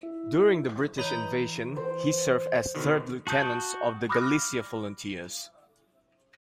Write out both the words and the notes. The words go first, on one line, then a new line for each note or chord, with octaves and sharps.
During the British Invasions he served as Third Lieutenant of the Galicia Volunteers.
E4
E3 B4 C#5 D#5 A#5 G6
C5 D5
B2 D3 D#3
F#4 A5 D#6 G6
B5 D6 D#6 F6 F#6 A#6